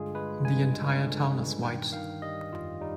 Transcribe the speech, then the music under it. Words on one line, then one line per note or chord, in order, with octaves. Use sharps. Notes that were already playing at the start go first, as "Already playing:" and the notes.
The entire town is White.
Already playing: G2 D3 G#3 F4 G#4
G#3 B4
G2 G#5
G#3
D3
G2
D#3 G5
D#3 F5
G3 D#5
F2 F4
G3 D#4